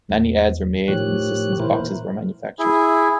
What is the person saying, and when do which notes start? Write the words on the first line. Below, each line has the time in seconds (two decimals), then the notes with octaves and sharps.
Many ads were made, and the system's boxes were manufactured.
0.10 E2
0.88 A2 D#3 F3 G4 C#5 F#6
1.60 A#2 E3 E4 A#4 C5
2.59 E4 G#4